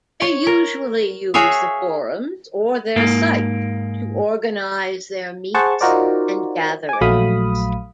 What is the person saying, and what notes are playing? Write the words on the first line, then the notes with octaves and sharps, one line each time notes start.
They usually use the forums or their site to organize their meets and gatherings.
C#5
A#4
F#4 G#4 C#5 E5 F5
G#2 A#3
G#4 C5 F#5 A5 C#6
D#4 F4 F#4 A#4 C5 D5
G#5 D6
A#1 F#3 A3 F5 B5 D#6